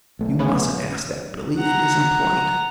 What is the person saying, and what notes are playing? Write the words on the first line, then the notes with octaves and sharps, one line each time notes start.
"You mustn't ask that, Billie; it isn't polite!"
B1 A3
C#3 B3 C#4
F#5 A#5